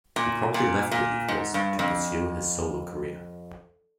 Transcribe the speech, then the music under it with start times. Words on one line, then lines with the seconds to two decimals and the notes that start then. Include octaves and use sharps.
He promptly left The Equals to pursue his solo career.
0.16 A#2
0.54 A#2
0.91 A#2
1.28 G#2
1.54 G2
1.79 F2